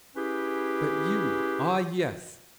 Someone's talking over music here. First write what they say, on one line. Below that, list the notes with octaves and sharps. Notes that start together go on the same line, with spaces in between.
But you,--ah, yes!
C#4 E4 G4 G#4 B4